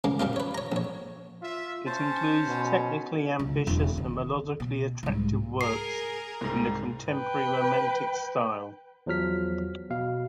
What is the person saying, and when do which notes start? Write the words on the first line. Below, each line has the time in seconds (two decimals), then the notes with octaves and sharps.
It includes technically ambitious and melodically attractive works in the contemporary Romantic style.
0.04 C#2 G#3 A#3
0.20 A#2 G3 A#3 F4
0.36 B4 C#5
0.54 C#5 A#5
0.72 A#1 C#5
1.43 F4 E5
1.86 C#4 C5 A5
2.46 B2
3.39 C#2
3.67 E1 E3
3.97 D#3
4.60 B2
5.03 C2 G#2
5.61 G#4 A#4 C7
6.41 C2 G#2
7.11 B4 G5
9.06 E2 F3 F#3 F6 B6
9.90 B2 F5